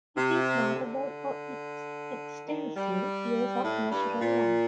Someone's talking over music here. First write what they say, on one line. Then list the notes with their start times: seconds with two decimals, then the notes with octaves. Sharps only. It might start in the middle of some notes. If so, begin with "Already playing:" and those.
It is notable for its extensive use of natural light.
0.17 C3
0.75 D3
2.47 D#3
2.77 G3
3.64 A2
3.92 G2
4.21 A#2